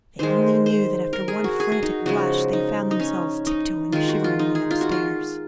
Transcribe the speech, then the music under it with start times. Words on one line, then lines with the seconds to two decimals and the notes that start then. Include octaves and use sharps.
They only knew that after one frantic rush they found themselves tiptoeing shiveringly upstairs.
0.19 D#3 G#3 C5
0.66 C5
1.13 A#4
1.28 G#4
1.44 F#4
1.60 G#4
1.72 F#4
1.83 D#4
2.06 C#3 F3 G#3 F#4
2.53 D#4
2.91 D#4
3.00 C#4
3.47 D#4
3.92 D#3 G#3 F4
4.08 F#4
4.24 F4
4.39 D#4
4.55 G#4
4.71 F4
4.81 F#4
4.91 F4